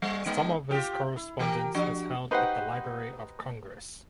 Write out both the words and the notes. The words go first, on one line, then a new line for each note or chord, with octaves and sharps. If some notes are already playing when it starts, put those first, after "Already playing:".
Some of his correspondence is held at the Library of Congress.
G3
G#3 B3 D#4
F4 G4
E4
E3 G4 A#4
F3 D4 F#4
D#4 F#4 G4 B4 C5 F#5